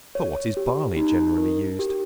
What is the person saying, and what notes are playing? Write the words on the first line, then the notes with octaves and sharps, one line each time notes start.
For what is Barley generally used?
C#5
G4
D#4
A#4
G4